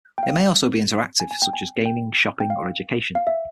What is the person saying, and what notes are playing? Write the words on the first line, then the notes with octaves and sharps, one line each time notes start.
It may also be interactive, such as gaming, shopping, or education.
G5
F5
G#5
G#5
G5
G#5
G5
G5
F5
F5
E5